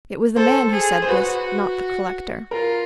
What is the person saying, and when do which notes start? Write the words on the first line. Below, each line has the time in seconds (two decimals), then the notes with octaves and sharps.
It was the man who said this, not the collector.
0.36 A4 C5
0.73 G#4
1.02 C5
1.08 F#4 B4
2.51 F4 A#4